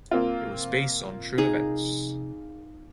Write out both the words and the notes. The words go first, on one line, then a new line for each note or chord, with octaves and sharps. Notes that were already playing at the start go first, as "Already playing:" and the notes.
It was based on true events.
A#3 C4 F4
D#4 G#4